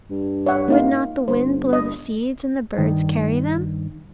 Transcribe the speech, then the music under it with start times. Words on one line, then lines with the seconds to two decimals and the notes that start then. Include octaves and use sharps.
Would not the wind blow the seeds, and the birds carry them?
0.10 G2
0.46 C#5 E5 F#5
0.68 A#3 D#4 F5
1.28 G1 C5
1.73 D#5
2.78 G2 D#3